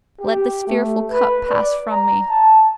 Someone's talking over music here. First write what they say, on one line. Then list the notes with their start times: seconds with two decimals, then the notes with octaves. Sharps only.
Let this fearful cup pass from me!
0.20 G4
0.67 A3
1.12 B4
1.50 D5
1.91 A#5
2.30 A5